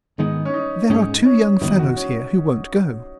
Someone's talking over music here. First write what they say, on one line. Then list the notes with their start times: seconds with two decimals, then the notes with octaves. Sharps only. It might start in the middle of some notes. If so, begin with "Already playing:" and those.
"There are two young fellows here who won't go."
0.18 G#2 D#3 G#3 B3 D#4
0.45 C#4
0.54 D#4
0.89 G#2 G#3 C#4 D#4
1.25 C#4
1.61 F#2 D#3 B3 D#4
1.79 F#4
1.96 C#4